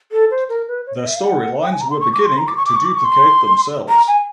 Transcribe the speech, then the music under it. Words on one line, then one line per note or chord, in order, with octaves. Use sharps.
The storylines were beginning to duplicate themselves.
A4
C5
A#4
B4
C#5
D#5
E5
F5
F#5
G5
G#5
A#5
C6
C#6
D6
C#6
C6
A#5
D6
C#6
D6
C#6
D6
C#6
C6
A#5
G#5